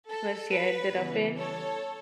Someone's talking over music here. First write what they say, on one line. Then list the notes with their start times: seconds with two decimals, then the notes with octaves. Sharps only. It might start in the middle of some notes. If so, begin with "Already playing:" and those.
that she ended up in
0.09 A4
0.51 B4
0.94 C#3 E3 G3 B3
1.37 A4 C#5